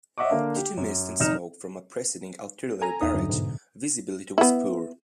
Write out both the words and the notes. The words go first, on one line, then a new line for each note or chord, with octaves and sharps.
Due to mist and smoke from a preceding artillery barrage, visibility was poor.
C#5 D#5 E5 F#5 C#6 D6
D3 A#3 D4 F5
G4
F#2
F1 D#4 F6 E7
A4 G#5 A#5
E2 D#4 E5 D#6
G2 D3 F#3
G#2 B2 D3
B3 E4